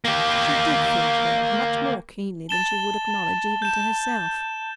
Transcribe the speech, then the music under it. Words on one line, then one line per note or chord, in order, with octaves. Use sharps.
She did feel hurt--much more keenly than she would acknowledge even to herself.
A#3 G4
A5 A6 E7 G7
G6 E7